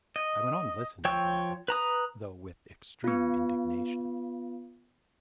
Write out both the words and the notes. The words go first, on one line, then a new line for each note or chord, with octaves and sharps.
I went on listening, however, though with extreme indignation.
D#5
F3 C#5 G5 C#6 E6
B4 A#5 D#6
B3 F4